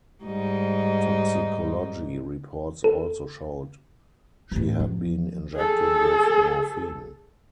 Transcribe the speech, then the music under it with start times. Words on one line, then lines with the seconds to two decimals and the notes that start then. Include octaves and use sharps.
Toxicology reports also showed she had been injected with morphine.
0.24 G#2 G3 D#4
2.84 A4
4.52 A1 E2
4.80 F3
5.54 G#4 A4